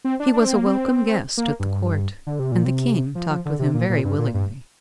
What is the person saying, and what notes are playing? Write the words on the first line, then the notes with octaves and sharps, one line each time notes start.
He was a welcome guest at the Court, and the King talked with him very willingly.
C4
D4
D4
C4
A#3
C4
A#3
G2
D3
C3
A#2
C3
F3
F3
D3
C3
A#2
A#2
G2
A#2
G2